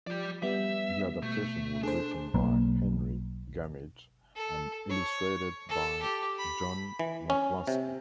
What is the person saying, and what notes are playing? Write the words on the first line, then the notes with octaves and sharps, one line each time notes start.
The adaptation was written by Henry Gammidge and illustrated by John McLusky.
F3 G4 D5
G3 B3 E5
B2 A3
D4 G#4 A4 C5
B1 A#3
A4
C#5
A4
G4
B5
E3
C#4
C3